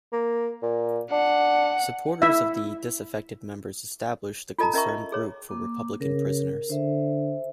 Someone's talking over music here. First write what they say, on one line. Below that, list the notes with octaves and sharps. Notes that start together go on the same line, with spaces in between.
Supporters of the disaffected members established the Concerned Group for Republican Prisoners.
A#3
A#2
D4 F#5
E4 E5
F4 A4 D#5 A5 A#5
C#4 A#4 D#5 E5 A#5 C#6
D#5
G#4 C#5
A#3 D6
C#3 A#4
D3 C5 E5